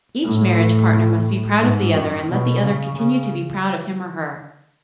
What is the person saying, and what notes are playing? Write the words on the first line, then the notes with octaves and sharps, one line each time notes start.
Each marriage partner must be proud of the other and let the other continue to be proud of him or her.
A2
G#2
F#2
B2
C#3
C#3